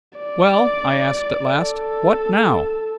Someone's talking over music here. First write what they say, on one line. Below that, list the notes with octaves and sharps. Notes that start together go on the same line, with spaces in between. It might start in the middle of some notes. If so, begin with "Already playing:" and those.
"Well," I asked, at last, "what now?"
D5
A4